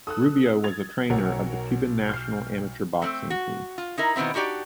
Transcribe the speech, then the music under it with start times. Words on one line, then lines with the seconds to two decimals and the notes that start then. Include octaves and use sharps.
Rubio was a trainer of the Cuban national amateur boxing team.
0.07 A4 D#6 E6 F#6
0.64 G#6 A6 F7
1.10 B1 A#4 C#5 F#5
2.09 F6 G6 C7
3.02 A3 C4
3.30 F#4
3.78 F4
3.98 D#4 E4 A#4
4.16 B2 D#3 B3 C4 E4
4.34 D4 D#4 F#4 G4 D5